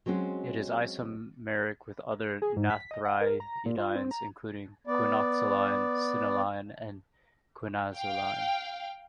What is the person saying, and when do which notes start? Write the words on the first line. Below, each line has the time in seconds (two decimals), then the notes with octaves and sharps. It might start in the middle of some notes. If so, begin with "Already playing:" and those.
It is isomeric with other naphthyridines including quinoxaline, cinnoline and quinazoline.
0.06 F#3 G#3 C4 C#4 F#4
2.42 G#4
2.57 G#2
2.70 B6
2.91 D#5
3.05 F#5
3.21 A#4
3.40 A#5
3.66 A#2
3.78 F4
3.96 C4
4.11 A#5
4.87 B3 D5
7.95 F5 G5